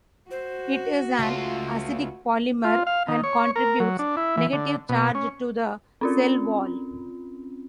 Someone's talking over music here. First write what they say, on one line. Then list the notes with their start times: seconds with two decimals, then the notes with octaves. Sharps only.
It is an acidic polymer and contributes negative charge to the cell wall.
0.31 F#4 C5
1.19 C#2 A3 F4
2.64 F4
2.87 F5
3.08 D#3
3.24 C#5
3.56 A#4
3.80 F#3
3.99 D4
4.17 E4
4.37 E3
4.53 D3
4.89 B2
5.15 C#4
6.01 C4 C#4 F4